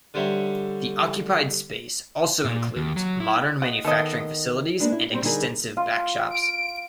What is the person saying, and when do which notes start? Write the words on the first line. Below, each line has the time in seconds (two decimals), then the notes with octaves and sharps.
The occupied space also includes modern manufacturing facilities and extensive back shops.
0.14 D3 G3 C5 C#5 E5 A#5
2.45 A#2
2.76 D#2
2.96 F#3
3.20 E4
3.62 D#5 F#5
3.85 D#3 B3 A4 D#5
4.80 G#3 A#3 B3 D4 B4
4.92 E4
5.11 G3 C4 C#4 D#4 F#4 G4
5.22 D3 G3 D#4 G4 G#4 A#4
5.77 F4
6.30 D7